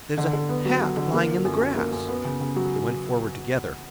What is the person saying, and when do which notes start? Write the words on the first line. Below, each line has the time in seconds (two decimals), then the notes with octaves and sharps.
There is a hat lying in the grass.’ They went forward together.
0.18 D3
0.33 D3
0.49 B3
0.65 F#3
0.81 F#3
0.97 D3
1.13 A#3
1.28 F3
1.45 F#2
1.61 F#2
1.76 A#3
1.92 F#2
2.09 B3
2.24 C#3
2.40 C#3
2.56 F#3